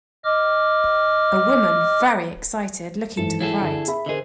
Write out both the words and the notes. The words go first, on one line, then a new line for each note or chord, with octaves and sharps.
A woman very excited looking to the right.
D#5 D6 F6
G#2 E3 A4
E4 G#4 A4
D3
G#4 E5 B5
D3 G#4 A#4 C5 D#5